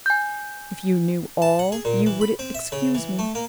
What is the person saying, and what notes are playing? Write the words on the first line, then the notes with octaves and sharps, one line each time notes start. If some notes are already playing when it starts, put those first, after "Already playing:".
If you knew all, you would excuse me.
G#5 G6
A5
F#5
G#4
A#2
E3
B5
C4
E5
C#3
E3
A3
A#3